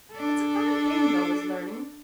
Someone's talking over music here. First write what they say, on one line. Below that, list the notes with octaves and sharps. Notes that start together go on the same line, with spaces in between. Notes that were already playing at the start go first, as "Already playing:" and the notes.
'It's a fine thing, tho', is learning.
D4 A4